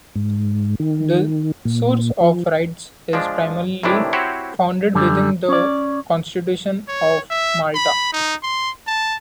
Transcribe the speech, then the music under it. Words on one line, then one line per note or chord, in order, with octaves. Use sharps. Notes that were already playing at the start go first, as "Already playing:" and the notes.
The source of rights is primarily founded within the Constitution of Malta.
G#2
D#3
A#2
F3
F3 G#3 D4
A2 C3 D#3 E3 D4 E4
C4 E4 F#4 G4 C5 C#5
F#2 D3 G3
C#4 D5
C#5
E5
B5
D#4
C6
A5